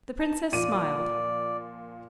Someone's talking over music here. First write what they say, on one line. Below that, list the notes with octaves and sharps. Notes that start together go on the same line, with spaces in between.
The princess smiled.
A5
A#2 F3 D5 D#7